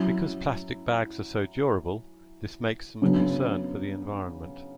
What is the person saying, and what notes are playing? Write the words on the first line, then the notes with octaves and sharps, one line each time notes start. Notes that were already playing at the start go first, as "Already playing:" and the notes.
Because plastic bags are so durable, this makes them a concern for the environment.
Already playing: F#3 C#4 E4
C#3 F#3 B3 D4